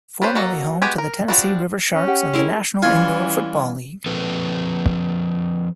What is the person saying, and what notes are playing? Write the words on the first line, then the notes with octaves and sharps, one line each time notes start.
Formerly home to the Tennessee River Sharks of the National Indoor Football League.
G3 C#4 B4 C5
F#3 A#3 F#4 A4 D#5
G#3 B3 F#4 G4 G#5
A#4
F3 G3 A#3 D4 F#4
C#4
G4 F#5
G#3 E4 A#4
E3 G3 C#4 E4 F4 G#5
F3 C4 A4 B4